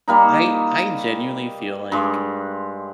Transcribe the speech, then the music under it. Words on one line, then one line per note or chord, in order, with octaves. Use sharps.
I I genuinely feel like
G3 A#3 D#4
G2 G#3